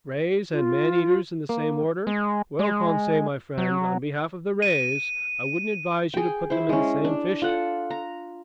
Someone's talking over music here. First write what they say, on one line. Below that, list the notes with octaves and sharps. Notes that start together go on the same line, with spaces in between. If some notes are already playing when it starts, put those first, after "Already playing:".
"Rays and man-eaters in the same order? Well, Conseil my friend, on behalf of the rays, I wouldn't advise you to put them in the same fish tank!"
F4
A#3
G#3
G#3
F#3
D#7
G#4 G5
E4 C5
G#3 C#4
D4
F4 A4 F#5
A#5